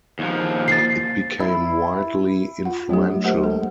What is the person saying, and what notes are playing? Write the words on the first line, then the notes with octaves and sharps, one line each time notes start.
It became widely influential.
D#2 F3
A6 C7
E4
F4 F#5
F#3 A3 D4 G4
A3 A#3 G4 A#4 C5 F#5
G#3 A4